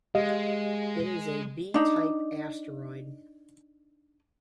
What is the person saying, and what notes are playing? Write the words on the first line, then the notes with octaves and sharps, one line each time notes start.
It is a B-type asteroid.
G#3 G4 D#5 F5
D4 D#4